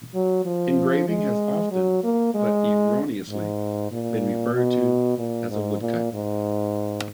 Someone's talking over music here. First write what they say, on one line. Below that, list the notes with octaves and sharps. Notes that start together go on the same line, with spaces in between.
The engraving has often, but erroneously, been referred to as a woodcut.
F#3
F3
G#3
F#3
A#3
G#3
G#2
A#2
B2
A#2
G#2
A#2
G#2